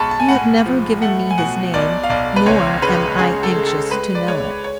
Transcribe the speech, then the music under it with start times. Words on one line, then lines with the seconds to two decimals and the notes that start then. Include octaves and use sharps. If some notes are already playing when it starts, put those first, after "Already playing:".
You have never given me his name, nor am I anxious to know it.
Already playing: B1 G#3 A5 B5 C#6
0.11 A5
0.20 G#5
0.29 A2 F#5
0.36 G#5
0.66 F3
1.02 A3 F#5
1.31 G#5
1.38 B2 F#5
1.74 B1 D5
2.04 F5
2.10 B1 D5
2.36 B4
2.46 C#2 C#5
2.82 C#3 B4
3.19 C#3 G#4
3.43 A4
3.55 G#3
3.67 A4
3.91 G#3 B4
4.15 D5
4.27 G#3 C#5
4.64 C#5